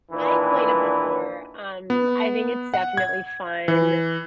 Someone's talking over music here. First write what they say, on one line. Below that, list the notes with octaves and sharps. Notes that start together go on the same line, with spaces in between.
I've played it before, um, I think it's definitely fun.
A#2 D#3 E3 D4 B4
B3
F#5
G#6
E3